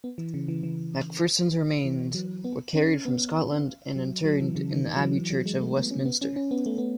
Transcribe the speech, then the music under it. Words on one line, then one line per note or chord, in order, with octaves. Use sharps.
Macpherson's remains were carried from Scotland and interred in the Abbey Church of Westminster.
B3
E3
C#3
E3
E3
E3
F#3
B3
C#4
B3
F#3
F#3
E3
C#3
D#3
D#3
F#3
E3
E3
F#3
G#3
A3
B3
C#4
B3
C#4
C#4
B3
A3
B3